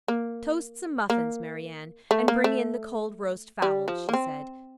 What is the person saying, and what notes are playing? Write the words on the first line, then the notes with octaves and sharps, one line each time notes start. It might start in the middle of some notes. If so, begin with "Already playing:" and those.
"Toast some muffins, Mary Anne, and bring in the cold roast fowl," she said.
A#3
A#3
A3
A#3
A3
G3
F3
A#3
C4